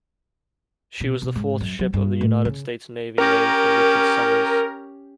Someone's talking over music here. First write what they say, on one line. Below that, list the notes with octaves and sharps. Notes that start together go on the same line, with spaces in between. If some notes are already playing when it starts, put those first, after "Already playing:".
She was the fourth ship of the United States Navy named for Richard Somers.
B2
B2
G#2
F#2
F#3
G2
A2
C#3
C#4 G4 A#4